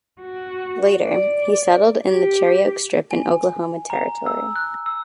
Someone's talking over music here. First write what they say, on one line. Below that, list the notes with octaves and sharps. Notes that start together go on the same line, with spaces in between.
Later, he settled in the Cherokee Strip in Oklahoma Territory.
F#4
D5
G4
G#5
A#5
E6
F#6
E6